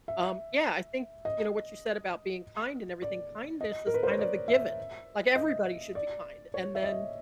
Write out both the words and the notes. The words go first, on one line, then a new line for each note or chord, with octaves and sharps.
Um, yeah, I think, you know, what you said about being kind and everything- kindness is kind of a given. Like, everybody should be kind. And then,
E5
D#5
D5
D#5
A#4
B4
C5
C#5
D5
E5
D#5
D5
C#5
E5
D#5